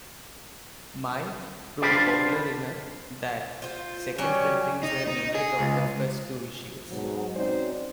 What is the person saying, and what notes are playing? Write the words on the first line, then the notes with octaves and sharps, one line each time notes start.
"Mai" proved popular enough that second printings were needed of the first two issues.
D4 F4 G4 B4 C5 D5
F4 C5
F#3 G3 C#4 G4
D#4
D#4
G#4
C#2
G#2 B2 F#3
C4 C#4 D#4 F#4 C5 D5